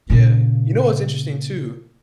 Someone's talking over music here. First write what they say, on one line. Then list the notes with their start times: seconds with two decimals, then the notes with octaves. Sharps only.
Yeah. You know what's interesting, too
0.10 A#2 C#3